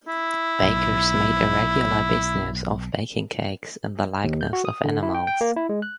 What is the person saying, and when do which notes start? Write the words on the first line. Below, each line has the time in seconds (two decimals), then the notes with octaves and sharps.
Bakers made a regular business of baking cakes in the likeness of animals.
0.07 E4
0.62 B1
4.24 D#2
4.41 G6
4.53 F#4
4.65 D#6
4.84 D3
5.03 E4
5.14 G5
5.27 G5
5.41 A#3
5.56 E4
5.69 G#3
5.82 F#6